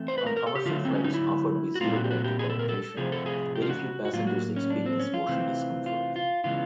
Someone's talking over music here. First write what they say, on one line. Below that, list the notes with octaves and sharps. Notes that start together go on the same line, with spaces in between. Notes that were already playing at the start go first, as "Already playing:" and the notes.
On commercial flights offered by Zero Gravity Corporation, very few passengers experience motion discomfort.
Already playing: E3 A3 C4
C5
B4
A#4
A#4
A4
G4
D3 F#3 A3 F4
C4
C#4
D#4
E4
F#4
A#2 G3 C4 F4
F#4
G4
F#4
G4
G#4
A4
A#4
A4
C3 F3 A3 C4 G#4
A4
G#4
G4
F4
F#4
F#4
A2 F#3 A#3 F4
F#4
C#4
D4
C4
C#4
F4
C3 E3 A3 C4
F4
F4
C#3 E3 G#3 B3 F4